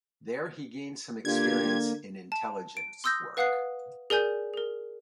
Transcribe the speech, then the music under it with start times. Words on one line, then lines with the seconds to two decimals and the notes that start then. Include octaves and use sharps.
There he gained some experience in intelligence work.
1.25 D3 A#3 F4 G4 G#6
2.32 A5
2.77 D7
3.04 C6 D#6 E6 G6 A#6
3.37 B4 F5 F#5 D#6 F#6 C7
4.10 G#4 A#4 D5 G#5 G6
4.54 G#4 A#4